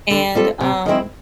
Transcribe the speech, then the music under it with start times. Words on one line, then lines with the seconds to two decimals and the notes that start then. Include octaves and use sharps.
and, um
0.10 D3
0.35 G3 C4 F4 A4
0.60 C3
0.86 D#3 G#3 C4 E4